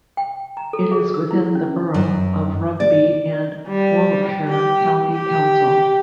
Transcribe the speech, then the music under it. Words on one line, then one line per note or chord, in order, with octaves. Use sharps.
It is within the borough of Rugby and Warwickshire county council.
G5
A#5
A4
G#4
E6
E4
C#4
F#2
D5
G3
G4
G4